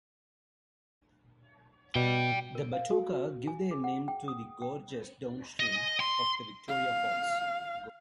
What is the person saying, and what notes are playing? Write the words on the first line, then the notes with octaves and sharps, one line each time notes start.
The Batoka give their name to the gorges downstream of the Victoria Falls.
B2 D5 G5
A#4
F5
F#4
G#5
G#4
F#5
G5
D#6
G5
D#5
C6
F5